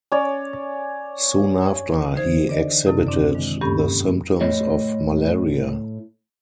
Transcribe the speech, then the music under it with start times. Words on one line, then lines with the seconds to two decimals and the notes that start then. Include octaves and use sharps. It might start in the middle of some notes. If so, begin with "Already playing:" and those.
Soon after, he exhibited the symptoms of malaria.
0.12 C#4 C#5 D5
2.16 D3 E3 D#4 C5 G#6
2.49 D4 A4 D5 D#5
2.85 F#2 C3 E4
3.07 C4 D4 D5
3.35 D#3 G#3
3.61 G2 A#3 C#4 G4 A4 B5
4.41 A2 A3 C#5 D#5